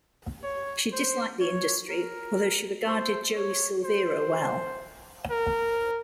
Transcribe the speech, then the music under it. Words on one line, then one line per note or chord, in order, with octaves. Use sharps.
She disliked the industry, although she regarded Joey Silvera well.
C#5
C5
C#5
A#4
C5
C#5
C5
A#4